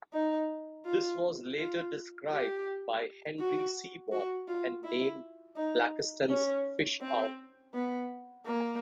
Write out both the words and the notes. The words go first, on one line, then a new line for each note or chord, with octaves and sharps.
This was later described by Henry Seebohm and named Blakiston's fish owl.
D#4
F4
F4
G4
F#4
F#4
F4
E4
D#4
C#4
C4
B3
A#3